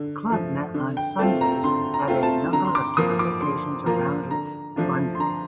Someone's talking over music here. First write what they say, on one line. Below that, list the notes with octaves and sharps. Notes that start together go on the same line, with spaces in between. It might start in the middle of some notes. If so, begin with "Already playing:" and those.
The club met on Sundays at a number of different locations around London.
Already playing: D3
F3 A3
D3
G5
A3 C4 F4 A5
A#5
D3 C6
A#5
A3 C4 F4
A5
D3 A#5
C6
D6
F3 A#3 F4 D#6
D6
D3 C6
F3 A#3 F4 A#5
D3 A#5
F3 A3 D4 F4
C6
D3 A#5